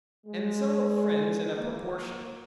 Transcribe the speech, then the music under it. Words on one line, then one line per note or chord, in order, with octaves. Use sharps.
And so of friends in a proportion.
G#3
A#3